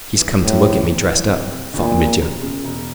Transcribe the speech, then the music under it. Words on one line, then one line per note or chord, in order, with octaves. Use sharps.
"He's come to look at me dressed up," thought Mitya.
E3
A2 E3
E3
C3
E3
C3
C3
D2 A#2
F3
E1
C#3
E1